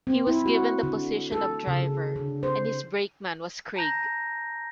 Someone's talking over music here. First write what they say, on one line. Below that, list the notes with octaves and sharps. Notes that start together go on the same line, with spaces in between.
He was given the position of driver and his brakeman was Craig.
C4
E4
F#4
D3
A4
C#3
D3
C5
A5 A#5 G6 A#6